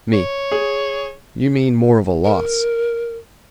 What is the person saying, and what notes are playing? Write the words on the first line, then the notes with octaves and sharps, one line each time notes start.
ME: You mean more of a loss.
C#5
G#4
A#4